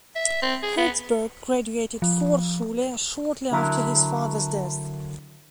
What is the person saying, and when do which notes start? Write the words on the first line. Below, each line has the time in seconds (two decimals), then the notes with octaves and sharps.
Herzberg graduated Vorschule shortly after his father's death.
0.15 E5
0.42 C4
0.63 G#4
0.77 B3
2.02 F3
3.52 D3 F#3 E4 A#4